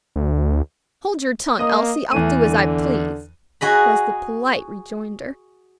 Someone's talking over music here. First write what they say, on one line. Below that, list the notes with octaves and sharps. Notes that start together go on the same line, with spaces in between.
"Hold your tongue, Elsie; I'll do as I please," was the polite rejoinder.
D2
A#3 D#5 D#6
E2 E3 A3 D#7
D3
F#4 G#4 D#5 B5